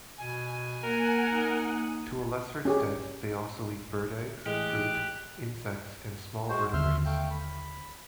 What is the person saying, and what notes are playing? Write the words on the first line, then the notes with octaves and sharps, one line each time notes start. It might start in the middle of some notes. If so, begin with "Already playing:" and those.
To a lesser extent, they also eat bird eggs, fruit, insects, and small vertebrates.
B2 G#5
A#3 A#4 F#5
D#4
C#4 G4 G#4
A2 E3 G#3 G4 F#6
G#3 F#4 C5
D#2 D3 B3 E5 C6 F6
A3 F5 G5
B5